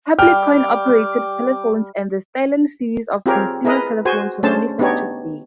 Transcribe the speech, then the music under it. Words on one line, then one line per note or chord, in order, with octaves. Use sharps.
Public coin-operated telephones and the "Styleline" series of consumer telephones were manufactured there.
G3 G#4 G5 D6 F6
C4 F4 G4 G#4 A#4 C#5
E4 G#4 A#4 B4 D#5
F#4 G#4 C5 G#5
A3 C#4 D4 G#4 C5 A5
B3 D4 D#4 G4 C#5